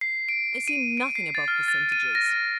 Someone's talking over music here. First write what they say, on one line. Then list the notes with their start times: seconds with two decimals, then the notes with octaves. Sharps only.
They see nothing above percentages.'
0.01 C7
0.29 D7
0.68 D#7
0.97 D7
1.15 C7
1.35 A6
1.48 F6
1.68 A6
1.92 D#7
2.15 A#6